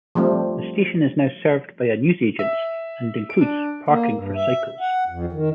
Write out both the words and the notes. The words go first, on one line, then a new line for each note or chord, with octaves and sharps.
The station is now served by a newsagents, and includes parking for cycles.
F3 G3 A3 C4
E5
D7
D4
A#3
G2
E5
F#5
F2
D#3